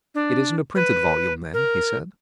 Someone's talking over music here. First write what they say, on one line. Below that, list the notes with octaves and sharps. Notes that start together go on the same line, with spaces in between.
"It isn't a printed volume, then?" he said.
D4
B4
A#4